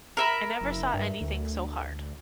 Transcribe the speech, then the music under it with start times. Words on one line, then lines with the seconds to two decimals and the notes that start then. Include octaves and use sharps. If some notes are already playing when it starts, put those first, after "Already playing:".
I never saw any thing so hard.
0.17 A#4 E5 B5
0.61 F#1
0.94 G2
1.21 D2